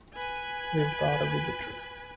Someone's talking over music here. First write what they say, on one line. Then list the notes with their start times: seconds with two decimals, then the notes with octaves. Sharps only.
We've got a visitor!
0.14 B4 G#5